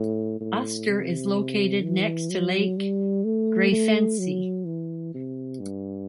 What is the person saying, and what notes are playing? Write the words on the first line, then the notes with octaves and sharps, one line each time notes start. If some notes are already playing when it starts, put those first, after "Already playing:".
Uster is located next to lake Greifensee.
Already playing: A2
A2
C3
E3
F#3
G3
A3
A3
F#3
E3
C3
G2